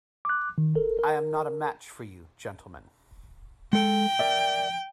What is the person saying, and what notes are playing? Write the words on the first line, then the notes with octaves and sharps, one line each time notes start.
I am not a match for you, gentlemen.
D6 F#6
D#3
G1 A4 A#4
A#4
G#3 A4 G5
A#4 D5 E5